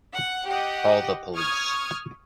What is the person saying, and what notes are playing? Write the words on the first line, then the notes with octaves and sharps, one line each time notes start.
Call the police.
F#5
G4 D#5 F#5
C#6 D#6 F6 G#6